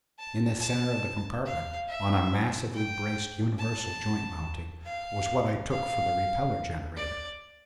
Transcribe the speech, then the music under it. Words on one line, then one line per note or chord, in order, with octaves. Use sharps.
In the center of the compartment, on a massively braced universal joint mounting, was what I took for the repellor generator.
A5
A5
F5
E5
G5
A5
F5
F5
D5